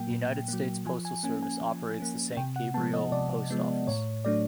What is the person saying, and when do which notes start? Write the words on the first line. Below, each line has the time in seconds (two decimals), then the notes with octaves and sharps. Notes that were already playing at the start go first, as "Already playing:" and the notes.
The United States Postal Service operates the Saint Gabriel Post Office.
Already playing: A#2 F#3 A#3 G5
0.10 A#2
0.48 F#3 A#3
0.86 F3 G#5
1.05 G#5
1.23 A#3 C#4 G#5
1.42 G#5
1.61 F3
2.00 A#3 C#4
2.37 C3 G5
2.56 F#5
2.74 F3 G#3 B3 A5
2.94 D#5
3.12 C3 D5
3.50 F3 G#3 B3
3.87 A2 C#5
4.25 F#3 A3 D4 D5